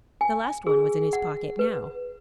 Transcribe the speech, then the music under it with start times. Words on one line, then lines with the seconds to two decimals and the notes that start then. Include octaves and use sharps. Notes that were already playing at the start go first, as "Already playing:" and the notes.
The last one was in his pocket now.
0.21 G#5
0.67 G#4
1.13 F#5
1.59 B4